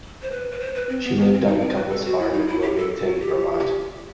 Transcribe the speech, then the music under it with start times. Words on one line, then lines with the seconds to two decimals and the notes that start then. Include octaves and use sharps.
She lived on the couple's farm in Wilmington, Vermont.
0.22 C5
0.31 B4
0.51 B4
0.60 C5
0.75 B4
0.89 C4
1.04 B3
1.19 B3
1.33 C4
1.47 D#4
1.61 C4
1.76 B4
1.90 A4
2.05 F#4
2.19 E4
2.33 D#4
2.48 E4
2.62 G4
2.77 A4
3.05 F#4
3.20 G4